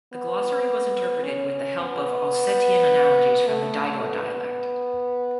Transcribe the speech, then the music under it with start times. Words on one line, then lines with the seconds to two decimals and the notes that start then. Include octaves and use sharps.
The glossary was interpreted with the help of Ossetian analogies from the Digor dialect.
0.13 B3
1.25 C#4
1.81 B3
3.48 A3
4.04 B3